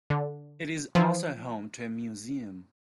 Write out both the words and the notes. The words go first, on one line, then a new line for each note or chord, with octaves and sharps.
It is also home to a museum.
D3
E3 F3